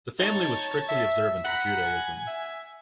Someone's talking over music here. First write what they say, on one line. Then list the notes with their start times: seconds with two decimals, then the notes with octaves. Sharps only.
The family was strictly observant of Judaism.
0.19 D#4 C#5 A5
0.89 E5
1.45 F#5 A#5 B5
1.83 G#5
2.27 E5